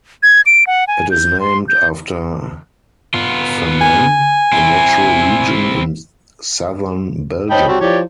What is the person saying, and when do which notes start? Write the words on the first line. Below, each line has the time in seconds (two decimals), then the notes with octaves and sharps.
It is named after Famenne, a natural region in southern Belgium.
0.23 G#6
0.46 D7
0.67 F#5
0.88 G#5
1.11 G6
1.40 C6
1.68 G6
3.14 B3 F4
3.81 G#5
4.53 C4 E4
7.51 D#4 C5 C#5 G5 A5 B5
7.68 G3 C4 F#4
7.81 F3 E4 G4 C#5 D5